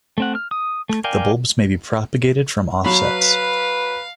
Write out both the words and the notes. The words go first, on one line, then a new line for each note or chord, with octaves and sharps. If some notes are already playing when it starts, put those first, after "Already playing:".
The bulbs may be propagated from offsets.
A3 C4 F#5
F6
D#6
A3
A#4 D5 F5 G5 G#5
F#3 B4 F5 B5